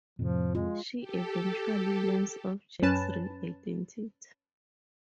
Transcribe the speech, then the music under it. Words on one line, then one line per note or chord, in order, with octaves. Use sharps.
She eventually learns of Jack's real identity.
F2 A2 C3 F3
G#3 F4
G4 A4
F#2 C#4 B4 A5